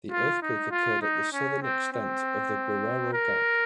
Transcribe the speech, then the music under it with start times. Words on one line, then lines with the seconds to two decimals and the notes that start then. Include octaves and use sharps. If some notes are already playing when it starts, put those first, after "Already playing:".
The earthquake occurred at the southern extent of the Guerrero Gap.
0.11 F4
0.42 D#4
0.71 F4
1.02 D#4
1.33 C#4
1.62 C4
1.92 C4
3.13 A#4